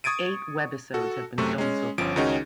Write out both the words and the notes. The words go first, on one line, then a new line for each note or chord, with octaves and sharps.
Eight webisodes have been filmed so far.
C#6 D#6 G#6 A6 D7 D#7
F#4 A4
F#2 C3 A3 C#6
G#3 C#4
G1 F3 C#4 D7
C#2 D#3 C#4 D#4 F#4 G#4